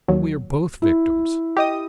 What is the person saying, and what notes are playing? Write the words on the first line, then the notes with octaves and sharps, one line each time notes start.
We are both victims.
D#2 F#3
E4
G4 D#5 D#6